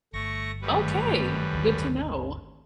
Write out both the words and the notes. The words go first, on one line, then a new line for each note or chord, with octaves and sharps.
Okay. Good to know.
G1 A3 C#6 A#6
F#2 D#3 G3 A3 B4
G#1 D#2 D3